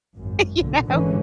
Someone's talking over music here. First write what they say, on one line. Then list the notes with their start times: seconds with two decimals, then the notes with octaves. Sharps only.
You know?
0.15 G#1 F#2
0.59 B1 A#2 D3
0.88 G#1 F2 D3 E3 G#3 C#4